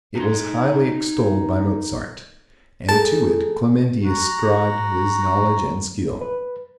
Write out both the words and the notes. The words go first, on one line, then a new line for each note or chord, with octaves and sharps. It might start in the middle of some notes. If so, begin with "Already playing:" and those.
It was highly extolled by Mozart, and to it Clementi ascribed his knowledge and skill.
D#4 C6
A3 G#4 A#4 A5
F#4 A#5 C#6
B4